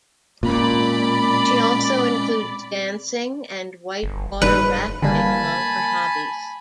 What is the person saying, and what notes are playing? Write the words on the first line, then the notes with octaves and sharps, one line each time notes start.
She also includes dancing and whitewater rafting among her hobbies.
A#2 G#3 C4 C#4 D5 B5
G1
F#1 G#2 G3 B4
D3 G3 A#3 G#5 A5 B5